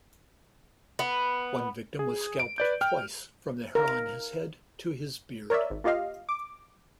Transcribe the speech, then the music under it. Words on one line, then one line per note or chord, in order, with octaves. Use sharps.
One victim was scalped twice, from the hair on his head, to his beard.
B3
G#4
D7
B4 D5 G6
G5 F6
A#4
A#4 C#5 D5 E5
G#1
A#3 F4 G4 D#5 F5
D6